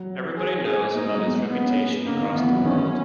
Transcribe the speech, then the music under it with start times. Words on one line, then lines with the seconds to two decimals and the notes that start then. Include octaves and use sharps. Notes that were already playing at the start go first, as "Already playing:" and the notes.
Everybody knows about its reputation across the world.
Already playing: F#3
0.37 G#4
0.65 G#4
0.94 A#3 D#4
1.05 G#3
1.17 F#3
1.27 G#3
1.50 A#3 B3
1.65 C#4
1.79 B3
1.93 A#3
2.07 C#3 A#3
2.21 D#3
2.35 E3 B3
2.50 F#3
2.64 D#3 C#4